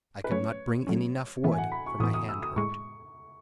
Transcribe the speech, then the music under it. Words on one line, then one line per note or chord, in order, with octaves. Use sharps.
I could not bring in enough wood, for my hand hurt.
B4
F#3 A3 C#4 C#5
F#3 A3 C#4
A2 E3 B3 E5
G#5
F#5
B5
C#6
A2 E3 B3 D#6
D#6
E6
D#6
A2 G#3 C#6